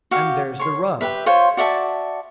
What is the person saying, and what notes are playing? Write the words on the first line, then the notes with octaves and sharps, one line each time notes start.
And there's the rub.
F#4 G4 F5
C#5 C6
G4 B4 E5
F4 C5 C#5
F#4 D5 E5 A5